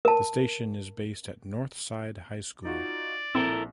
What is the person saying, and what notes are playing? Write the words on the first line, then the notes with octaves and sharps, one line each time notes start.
The station is based at Northside High School.
A#4 A5
D#4 F4 F#4 D5
A#1 C4 E4 A4 A#4